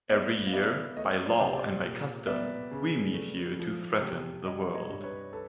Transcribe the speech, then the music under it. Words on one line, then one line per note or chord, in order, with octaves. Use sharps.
Every year, by law and by custom, we meet here to threaten the world.
B3 D5 E5
F5
B3 D5 E5
A3 C#5 D#5
C5 D5
C3
C5 D5
A#2
B3 D5 E5
C#3
A3
F3
C3
G3 C#5 D#5
C#5 D#5
G2
B4 C#5
A4 B4